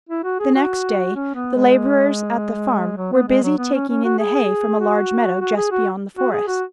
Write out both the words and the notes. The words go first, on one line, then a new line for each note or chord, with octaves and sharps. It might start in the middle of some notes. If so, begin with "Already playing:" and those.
The next day the labourers at the farm were busy taking in the hay from a large meadow just beyond the forest.
E4
F#4
G#4
F#4
C#4
B3
G#3
F#3
B3
G#3
F#3
B3
C#4
C#4
F#4
G#4
F#4
F#4
G#4
F#4
F#4
G#4
F#4